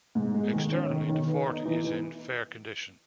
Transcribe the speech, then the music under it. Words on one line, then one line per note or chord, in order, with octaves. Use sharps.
Externally the fort is in fair condition.
G#2
G#3
D#3
C#4
D#3
D#3
B3
D#4
E3
E3